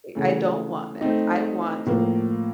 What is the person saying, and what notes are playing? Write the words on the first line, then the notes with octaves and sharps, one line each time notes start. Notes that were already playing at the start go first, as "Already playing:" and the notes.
I don't want meds, I want
C#3 E3 A3
A3 C4 D#4
A2 F3 A#3